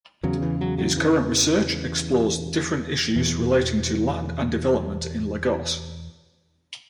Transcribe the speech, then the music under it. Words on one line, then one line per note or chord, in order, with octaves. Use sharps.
His current research explores different issues relating to land and development in Lagos.
E2 C#3 F#3
E3
F#3
F#3
E3
E2 B2 E3